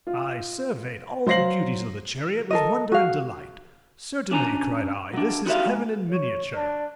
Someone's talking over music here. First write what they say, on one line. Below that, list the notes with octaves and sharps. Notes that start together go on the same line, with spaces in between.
I surveyed all the beauties of the chariot with wonder and delight. "Certainly," cried I, "this is heaven in miniature!"
F4
F#3 C5 F5 A#6 C7 F#7
A4 A#4 D#5
F#4 F5
C#4 D4 G#5 A#5
F#3 D4
D#4 F#4 G4 D5 E5 F5
G#2
C#5
D4